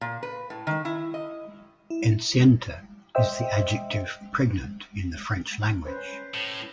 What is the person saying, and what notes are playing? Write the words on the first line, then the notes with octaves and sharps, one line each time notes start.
Enceinte is the adjective 'pregnant' in the French language.
A#2
B4
A2
D#3
E4
D#5
E4
C5 D#5 E5 G5 E6
C#4 B4 C5
A2